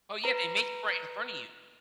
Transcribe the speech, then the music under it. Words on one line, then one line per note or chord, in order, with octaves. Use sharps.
Oh, yeah. They make it right in front of you.
B4 A#5